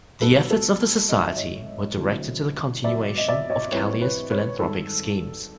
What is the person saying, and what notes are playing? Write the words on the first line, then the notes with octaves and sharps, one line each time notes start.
The efforts of the society were directed to the continuation of Callier's philanthropic schemes.
B2 G3 B3 D#4 A4 B4
A4
G#2 D#3 F#3 D#5
E5
C#5 D#5
D3 F#3 A3 C4 E4
B2 F#3 B3 D5 E5
D#5
D5 E5
C#5 D#5
E3 G3 C4 F4 B4 C#5
B4 C#5
B4 C#5
G2 D#3 G#3 A4